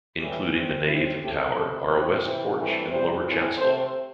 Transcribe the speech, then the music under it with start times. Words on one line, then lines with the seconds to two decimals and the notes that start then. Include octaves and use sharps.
Including the nave and tower are a west porch and lower chancel.
0.18 A2 E3 G3 G4
0.51 G2 E3 C4
0.86 A2 G3 C4 E4
1.20 A2 A3 C4 G4
1.54 C3 A3 C4 A4
1.88 E2 C3 A3 C4 C5
2.21 C3 E3 C4
2.56 G2 E3 A3 C4
2.90 C3 G3 C4 C5
3.24 A2 E3 C4
3.58 C3 A3 C4 C5